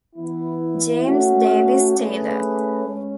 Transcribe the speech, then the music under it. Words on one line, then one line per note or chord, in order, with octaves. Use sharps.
James Davis Taylor.
E3 B3 E4
A3 C#4 F#4
A3 C#4 G#4 B4
G#3 C#4